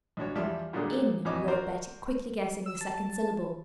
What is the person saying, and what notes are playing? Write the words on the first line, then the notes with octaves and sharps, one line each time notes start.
"Inn" wrote Betty, quickly guessing the second syllable.
B1 D4 F#4 C#5
E2 F3 G3 D5 E5
A#2 D3 F#3 G3 D4 G#4
F2 E3 F#4 C#5 D#5 D6
F#4 A#4 C5 D5 A#5
E6
A5